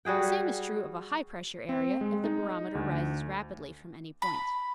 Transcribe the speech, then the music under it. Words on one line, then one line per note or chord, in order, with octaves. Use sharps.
The same is true of a high-pressure area, if the barometer rises rapidly from any point.
G3 F#4 G#4 G5
C4
G#3
D#4
D2
B5